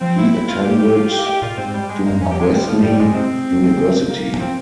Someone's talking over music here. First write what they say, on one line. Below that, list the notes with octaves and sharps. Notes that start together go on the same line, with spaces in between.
He attended Duquesne University.
F3 C4
E4
E4
F4
G3 G4
G4
F4
G4
A#3
G#3 G4
A#2 F4
G#2 C4
G3
G#3
A#3
G2
F2 C#4
G4
G#3
G3
F3
G2 G3
G#2 G#3
C3 C4
C#3
A#3
F3 C4